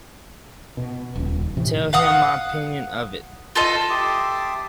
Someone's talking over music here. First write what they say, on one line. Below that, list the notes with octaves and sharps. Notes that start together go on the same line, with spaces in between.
Tell him my opinion of it.
B2
D#1 C#2
A2 C3 E3
F5 F#5 D#6
F4 A4 D#5
G4 E5 A5 C6 D6 D#6